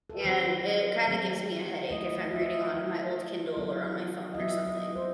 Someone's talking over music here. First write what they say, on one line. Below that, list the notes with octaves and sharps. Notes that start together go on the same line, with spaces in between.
and it kinda gives me a headache if I'm reading on my old Kindle, or on my phone, or something.
A4
B4
D#3 F#3 C4 D#4 C5
D#3 F#3 C4 D#4
D#3 A3 E4 D#5
E5
D#5
E5
D#3 A3 E4
F#3 B3 E4
D#5
F#3 B3 E4 E5
D#5
C5